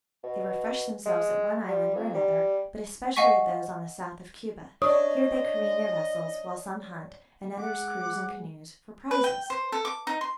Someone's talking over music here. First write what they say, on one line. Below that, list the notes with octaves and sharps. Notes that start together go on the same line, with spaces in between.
They refresh themselves at one island or another, but especially at those on the south of Cuba; here they careen their vessels, while some hunt, and others cruise in canoes for prizes.
B2
G#3
G3
F2
G3
D#5 F5 F#5 G#5 C#6 B6
D4 C#5 D#5 C#6 D#6
G#3 F#5 D6
B4
G5
C5
A4
D6
D#4
C6